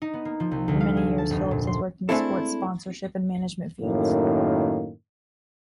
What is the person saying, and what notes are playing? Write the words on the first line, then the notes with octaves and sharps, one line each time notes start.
For many years Phillips has worked in the sports sponsorship and management fields.
D#4
B3
A#3
F3
C2
D2
F5
G#4
A5
F1
A#2
C6
G#3 A3 C4 D4 E4 A4
F#2 A2 D#3 A#3